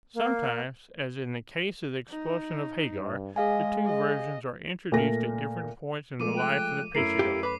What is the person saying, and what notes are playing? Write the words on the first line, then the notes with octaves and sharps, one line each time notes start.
Sometimes, as in the case of the expulsion of Hagar, the two versions are introduced at different points in the life of the patriarch.
A#3
D#4
G2
G#3 G#4 D#5 F5 G#5
D#5
A#2 A3 A#6
F3 G#3 A3 D6 D#7
G5 F#6
F#2 A3 E4 A#4 C7
G4 A4 F5
B4 B5 D6